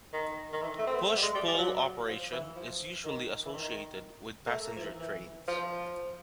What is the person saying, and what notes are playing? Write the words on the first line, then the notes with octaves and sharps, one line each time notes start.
Push-pull operation is usually associated with passenger trains.
D#3
D#3
E3
A3
C4
B3
A3
G3
G#3
G3
G3
F3
F#3
F3
E3
F3
D#3
E3
D#3
A#3
A3
A#3
F3
E3
E3
F3